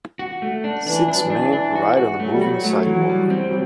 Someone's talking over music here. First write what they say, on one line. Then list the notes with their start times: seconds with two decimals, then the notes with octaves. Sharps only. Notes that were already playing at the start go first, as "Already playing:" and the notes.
Six men ride on a moving sidewalk.
0.19 F#4
0.42 A3
0.64 D4
0.86 E3 D4
1.08 F#3 D4
1.20 E3
1.30 D4
1.53 D4
1.76 F#4
1.97 F#4
2.20 F#3 A3
2.31 G3
2.41 F#3 F#4
2.53 F#3
2.65 A3
2.86 E3
3.09 G3
3.30 C4
3.46 F#3